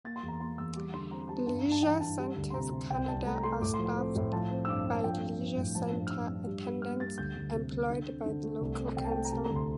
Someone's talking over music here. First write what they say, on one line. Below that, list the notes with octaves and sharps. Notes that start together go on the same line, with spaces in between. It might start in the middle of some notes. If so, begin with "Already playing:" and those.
Leisure centres Canada are staffed by leisure centre attendants employed by the local council.
A#3 A6
C6
E2
A#5
A#3 C6
E2 E6
G3 D6
D3 C6
C4 A#5
G3 A5
G2 A5
A#5
G2
A5
E3 G5
G2 A5
G3
D2
C6
C3 A#5
C3
C2 G5
C2 A5
A3 A#5
A#5
A3 C6
A2 D6
C6
F3
C6
C4
A2
F3 A5
C4
E6
G2 D6
G2
A5
F3 G5
C4
F3
A2
F3 A5
G2
F6
G2 E6
G2
G3
G3
A#3 F6
G3 A6
D2 G6
D2
C3
D2
D3
C4
D3
A3
C2
C4
C2 G5
A5
A3 G5
A#5
C3 A5
A#5
D2
C6